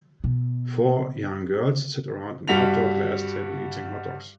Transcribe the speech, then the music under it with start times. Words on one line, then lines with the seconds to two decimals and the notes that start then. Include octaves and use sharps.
Four young girls sit around an outdoor glass table eating hotdogs.
0.24 B2
2.48 G2 G3 F#4 B6 F7